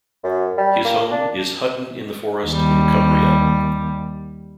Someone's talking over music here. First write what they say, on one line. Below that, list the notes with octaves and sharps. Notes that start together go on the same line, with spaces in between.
His home is Hutton-in-the-Forest in Cumbria.
F#2
G3
A#3
D4
D#2 G3